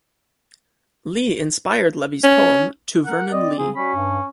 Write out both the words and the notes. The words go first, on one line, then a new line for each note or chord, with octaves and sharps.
Lee inspired Levy's poem To Vernon Lee.
C#4
A#4 F#5
C4 D5 D#5
C#3 C4 G#4
G3 C#4 F#4 B5
G2